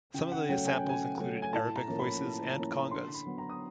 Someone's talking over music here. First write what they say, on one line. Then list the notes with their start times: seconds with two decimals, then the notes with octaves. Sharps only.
Some of the samples included Arabic voices and congas.
0.14 C#3 G5
0.32 F#5
0.49 F#3 A3 C#4 G5
0.67 G#5
0.78 G5
0.84 C#3
0.89 G#5
1.19 F#3 A3 C#4
1.42 G#5
1.53 A2 A5
1.76 A#5
1.88 F3 A#3 C#4 E4
1.99 B5
2.22 A2
2.57 F3 A#3 C#4 E4
2.91 D3 C6
3.14 B5
3.26 F#3 B3
3.38 A#5
3.49 D#6